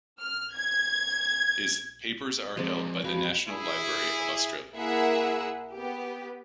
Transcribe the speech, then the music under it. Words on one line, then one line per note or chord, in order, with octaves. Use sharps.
His papers are held by the National Library of Australia.
F6
G#6
F3 F#3 G#3 C4 D5
F2 F#4 F5 B5
E4 G#4
A#3 E4 G#4 E5 F#5 E6
B3 G4